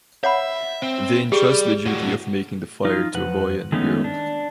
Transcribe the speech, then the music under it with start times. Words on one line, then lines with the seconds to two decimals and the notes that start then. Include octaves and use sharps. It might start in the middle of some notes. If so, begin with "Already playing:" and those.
They entrust the duty of making the fire to a boy and girl.
0.24 C#5 E5 F#5 B5
0.82 C4
1.32 G3 G4 G#4
1.86 A2 F#4
2.85 F3 D#4 F4
3.14 F2 F3 B4 F#5
3.72 D#3 G#3 A3 B3 C#4 D#4
4.04 D4